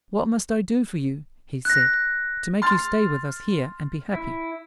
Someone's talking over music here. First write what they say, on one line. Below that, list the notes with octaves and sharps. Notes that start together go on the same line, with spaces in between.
"What must I do for you," he said, "to make you stay with us here and be happy?"
F#6 A#6
C6 F6 A6
E4